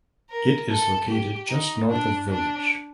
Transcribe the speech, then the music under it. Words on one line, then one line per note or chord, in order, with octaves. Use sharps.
It is located just North of village.
A#4
A4
G4
D#4
D4
D4